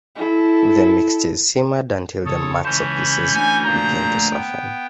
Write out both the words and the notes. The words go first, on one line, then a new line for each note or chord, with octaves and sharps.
The mixture is simmered until the matzo pieces begin to soften.
E4 A4
C#3 A4 C#5 D#6
C#2 E3 C#4 C#5 A5 B5 G6
A3 D4 G#5
A#2 F3 A#5
B3 G5